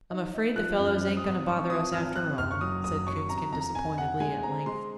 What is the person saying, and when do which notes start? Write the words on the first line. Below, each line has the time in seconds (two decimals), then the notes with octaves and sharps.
"I'm afraid the fellows ain't going to bother us after all," said Coonskin disappointedly, at length.
0.10 D#4
0.34 D#4
0.56 F3 F#6
0.79 F#2
0.86 F6
1.02 C4
1.17 D#6
1.24 G#1
1.47 G#1 C#6
1.70 F3 D#6
1.93 G#1 F6
2.15 C4 F#6
2.38 F#1 F6
2.51 C#6
2.61 F#3 D#6
2.84 F#1 D#6
3.07 F#3 C#6
3.29 C3 A#5
3.52 F2 A#5
3.75 F2 G#5
3.97 C3 F#5
4.20 G#3 G#5
4.43 C4 A#5
4.66 G#3 C6